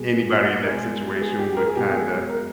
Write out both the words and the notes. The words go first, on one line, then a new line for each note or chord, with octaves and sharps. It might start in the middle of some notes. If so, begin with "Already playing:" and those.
anybody in that situation would kinda
Already playing: B2 G3 G#4
A#4
B2 G#3 G#4
G#4
G4
A#4
G#4
B2 G#3 G4
G#4
A#4